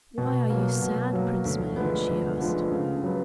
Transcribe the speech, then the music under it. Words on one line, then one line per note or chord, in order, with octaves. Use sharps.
"Why are you sad, Prince Milan?" she asked.
B2
F#3 A#3
B2
F#3 A#3
D2
D3 F3 G#3 B3
D2
D3 F3 G#3 B3
C#3
F#3 B3